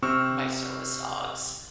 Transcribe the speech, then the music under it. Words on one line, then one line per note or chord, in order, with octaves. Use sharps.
my service dogs
C3 C4 C#6 E6 F6